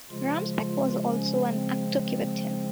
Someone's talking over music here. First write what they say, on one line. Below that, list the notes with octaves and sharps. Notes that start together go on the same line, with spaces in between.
Ramspeck was also an active Civitan.
C#3 F3 G#3 F4
F4
C#4
C4
C4